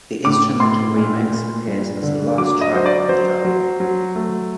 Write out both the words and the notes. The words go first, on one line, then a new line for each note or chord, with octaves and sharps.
The instrumental remix appears as the last track on the album.
A2 D6
A2 C6
A#2
A#2
G2
D3
F#3 D6
D#5
F#3 C5
D5
F#3 C5
F#3
F#3
A3